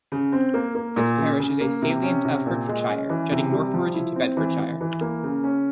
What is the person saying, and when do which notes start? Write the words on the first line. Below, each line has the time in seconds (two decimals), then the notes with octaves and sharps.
This parish is a salient of Hertfordshire jutting northwards into Bedfordshire.
0.12 C#3
0.32 C4
0.54 A#3
0.75 A#3
0.96 A#2
1.17 C#3
1.40 C#3
1.61 A#3
1.82 C3
2.03 C#4
2.25 C3
2.46 A#2
2.68 G#3
2.88 C#4
3.10 E3
3.32 C3
3.52 G3
3.74 F3
3.94 E4
4.16 C4
4.37 E3
4.58 E3
4.81 E3
5.01 A#3
5.23 C#3
5.44 C#4